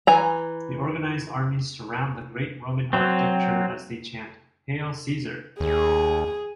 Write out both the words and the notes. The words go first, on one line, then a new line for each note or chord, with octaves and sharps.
The organized armies surround the great Roman architecture as they chant, Hail Caesar!
E3 G#5 A#5
F#3 C4
D#2 G#4